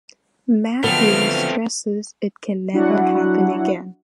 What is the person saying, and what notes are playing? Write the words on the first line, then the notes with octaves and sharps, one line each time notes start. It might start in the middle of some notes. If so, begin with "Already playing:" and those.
Matthew stresses it can never happen again.
D3 F3 F#3 A3 B3 C4 F6
F#3 D4 E4 F#4 F#5